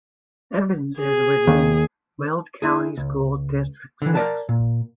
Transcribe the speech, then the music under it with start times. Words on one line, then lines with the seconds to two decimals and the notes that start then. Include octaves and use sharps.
Evans is within Weld County School District Six.
0.99 G#4
1.47 D#2
2.62 E4 G#4
2.97 C#2
4.02 D3 E3
4.15 A#4 D5 A5
4.49 A#2